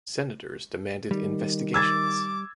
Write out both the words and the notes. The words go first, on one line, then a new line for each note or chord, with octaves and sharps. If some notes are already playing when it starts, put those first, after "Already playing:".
Senators demanded investigations.
D#3 G3
D6 E6 G#6 A6